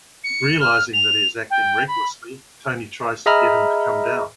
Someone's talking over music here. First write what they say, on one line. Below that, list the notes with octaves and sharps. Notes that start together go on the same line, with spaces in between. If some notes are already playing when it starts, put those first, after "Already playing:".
Realizing that he is acting recklessly, Tony tries to get him to come down.
C#7
F6
F7
G5
B5
G#4 D#5 E5 A#5 B5 F6